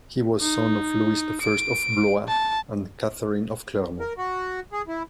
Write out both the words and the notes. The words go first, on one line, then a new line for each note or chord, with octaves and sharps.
He was son of Louis the First of Blois and Catherine of Clermont.
D#4
D7
A5
A#4
F#4
G#4
E4